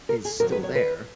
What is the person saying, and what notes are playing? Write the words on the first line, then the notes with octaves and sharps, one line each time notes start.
is still there
A#4
G#4
F2 D#3 F#3 A#4
B4
C#5
B4